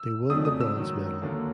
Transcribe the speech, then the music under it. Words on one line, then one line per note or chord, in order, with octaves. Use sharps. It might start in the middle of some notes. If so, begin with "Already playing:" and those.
They won the bronze medal.
Already playing: E6
F2 C#3 F#3 A3 D4 D#6
D#6
E6
G#2 D#3 F#3
D#2 D3 F#3 A#3